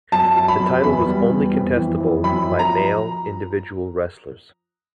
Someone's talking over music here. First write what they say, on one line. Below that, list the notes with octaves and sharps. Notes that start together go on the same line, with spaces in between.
The title was only contestable by male individual wrestlers.
F#2 A5
F#3
B5
F#2
E2 B5
G3
E2
F2
E3
F2
F#2 B5
F3
A#5